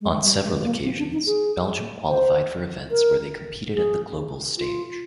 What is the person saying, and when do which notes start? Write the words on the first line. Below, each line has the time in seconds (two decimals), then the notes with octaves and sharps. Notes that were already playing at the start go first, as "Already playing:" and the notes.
On several occasions, Belgium qualified for events where they competed at the global stage.
0.01 G#3
0.22 G3
0.43 G#3
0.63 A#3
0.84 C4
0.98 D4
1.13 D#4
1.26 G#4
2.09 C5
2.91 A#4
3.75 G#4
4.58 F4